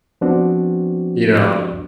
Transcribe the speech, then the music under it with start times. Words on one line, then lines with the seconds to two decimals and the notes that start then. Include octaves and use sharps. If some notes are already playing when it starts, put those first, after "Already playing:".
you know
0.21 F3 B3 C4 D4 F#4